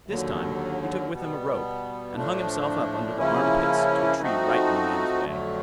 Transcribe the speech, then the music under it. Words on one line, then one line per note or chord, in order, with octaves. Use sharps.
This time he took with him a rope, and hung himself up under the arm- pits to a tree right in the man's way.
D#2 D3 F#3
B2 G3 B3
A2 F3 A3 D4
C#3 F3 A#3 C#4 E4
F3 A3 C4 D#4 F#4
F2 D3 F#3 A3